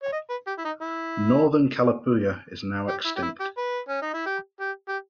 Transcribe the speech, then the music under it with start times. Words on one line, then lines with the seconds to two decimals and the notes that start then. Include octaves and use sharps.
Northern Kalapuya is now extinct.
0.03 C#5
0.12 D#5
0.30 B4
0.47 G4
0.58 E4
0.65 D#4
0.81 E4
2.88 G4
3.05 E4
3.17 G4
3.22 E4
3.40 G4
3.57 B4
3.89 C#4
4.02 D#4
4.14 E4
4.26 G4
4.60 G4
4.88 G4